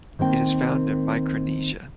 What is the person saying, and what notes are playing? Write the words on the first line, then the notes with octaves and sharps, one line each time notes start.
It is found in Micronesia.
D#3 A#3 C4 G5